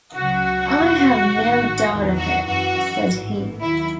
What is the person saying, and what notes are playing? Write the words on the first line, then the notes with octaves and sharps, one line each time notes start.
"I have no doubt of it," said he.
C#2 C#3 F#3 F#4
E2 B2 F#3
A1 G#2 D#3
E2 D#3 F#3
F#4
F#2 E3 F#4
A1 G#2 E3
D#2 D#3 F#3 E4